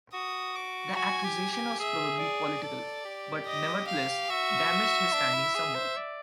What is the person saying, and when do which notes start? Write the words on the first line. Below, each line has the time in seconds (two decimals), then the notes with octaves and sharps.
The accusation was probably political, but nevertheless damaged his standing somewhat.
0.14 F#4 D#6
0.56 D6
0.96 F#4 G#5
1.24 G4
1.53 G4
1.80 G#4 E5
2.22 D5
2.63 A4
3.05 G4
3.46 D#5
3.87 F5
4.29 F#4 E5
5.13 D4
5.34 E4
5.55 G#4
5.75 C5
5.97 D5